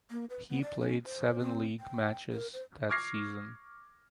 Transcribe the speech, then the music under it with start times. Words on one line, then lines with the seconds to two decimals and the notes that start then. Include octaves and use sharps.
He played seven league matches that season.
0.11 A#3
0.30 B4
0.49 B3
0.62 D5
0.80 C#4
1.05 C5
1.39 C4
1.80 G5
2.32 A#4
2.53 C5
2.89 C#6 D6 F6 G#6 A#6 C7